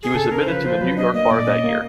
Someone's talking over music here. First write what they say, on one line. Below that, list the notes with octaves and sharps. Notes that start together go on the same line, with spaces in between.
He was admitted to the New York Bar that year.
G#4
C#3 A4
C#3 A#4
C5
F3 B4
F3 C5
F#3 B4
D4 D#5
A#3 D#5
A#2 D5
C#4 D#5
A#3